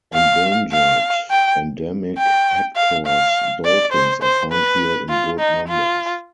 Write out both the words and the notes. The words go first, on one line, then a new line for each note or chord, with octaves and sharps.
Endangered, endemic Hector's dolphins are found here in good numbers.
F5
F5
G5
G5
F5
F5
D5
C5
C5
B4
F4
D#4
F4